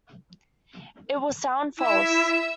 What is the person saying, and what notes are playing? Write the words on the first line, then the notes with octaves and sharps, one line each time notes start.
It will sound false.
E4 E5 E6